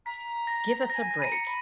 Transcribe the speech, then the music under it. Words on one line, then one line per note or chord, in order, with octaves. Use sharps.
Give us a break.
A#5 B6
A#6
G#5 A#5 A#6
A#6
B5
A#5 D#7
C#7
B5